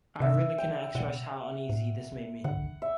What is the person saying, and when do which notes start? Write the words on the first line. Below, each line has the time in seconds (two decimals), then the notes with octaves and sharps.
I really cannot express how uneasy this made me.
0.20 C3 E5
0.58 G5
0.95 B2 F#5
1.69 A2
2.44 D3 F#5
2.82 E5